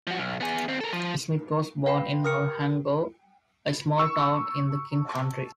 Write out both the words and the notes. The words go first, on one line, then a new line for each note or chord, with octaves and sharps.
Smith was born in Owhango, a small town in the King Country.
F3 F#4
B1
B3 G#4
D#2 C4
A4 A#4
F3
B4 F5 G5 B5 C6 G6
G4 A#4 D#6 F6 C#7
C#6 E6